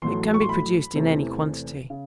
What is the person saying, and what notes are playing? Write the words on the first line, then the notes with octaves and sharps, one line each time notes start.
It can be produced in any quantity.
A1 A2 F#3 A3 C6
C#6
C6
B5
E2 C3 E3 A3
C#3